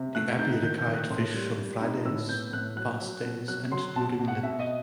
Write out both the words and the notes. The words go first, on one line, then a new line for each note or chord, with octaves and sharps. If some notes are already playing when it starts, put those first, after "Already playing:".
The abbey required fish on Fridays, fast days and during Lent.
Already playing: C3
A3 F#6
D#4 G6
D#3 G6
G6
D#3
F#6
A2 C6
G3
G3
D#4
A2 E6
B3 G6
A2 F#6
F#3 F#6
F#3
B2
F#3 F#6
F#3 C6
B2 A5
B2
F#5
B2 E5
D#5